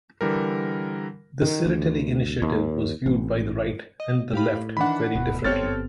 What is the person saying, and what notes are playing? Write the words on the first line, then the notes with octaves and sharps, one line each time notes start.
The Tsereteli initiative was viewed by the right and the left very differently.
D3 E3 G3 A#4
D#3
D2
D#2
A1
D#5
A2 G4 F5 B5
D#3 E3 D4 F#5 B5
D1 B2
G1 B3 C4 G4 A4 C#5 F6 A6